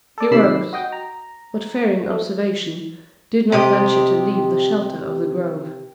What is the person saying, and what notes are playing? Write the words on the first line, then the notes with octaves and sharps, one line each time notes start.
He rose, but fearing observation, did not venture to leave the shelter of the grove.
A4 D5
C3 D#3 D5 B5 E6 C7
F#4 D#5 G5
A#5
A3
C3 G4 D#5